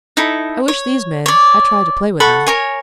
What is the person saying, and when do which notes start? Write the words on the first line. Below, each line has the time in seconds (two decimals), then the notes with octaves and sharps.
I wish these men had tried to play with them.
0.17 D#4 E4 A4
0.68 C#5
1.26 C#5 D5
2.20 A4 F#5 B5 C#6
2.47 A#4 C#5 G#5